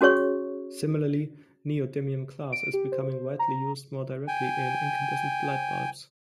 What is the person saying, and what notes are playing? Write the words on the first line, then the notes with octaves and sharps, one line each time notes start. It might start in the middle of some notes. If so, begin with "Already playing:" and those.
Similarly, neodymium glass is becoming widely used more directly in incandescent light bulbs.
C#4 F#4 G#4 C#5 C#6
D7
G4
C5
A#5
G5 G#5